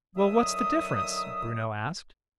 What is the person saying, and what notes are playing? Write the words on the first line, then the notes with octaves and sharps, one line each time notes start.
"Well, what's the difference?" Bruno asked.
D3 D#3 F#3 E5 D#6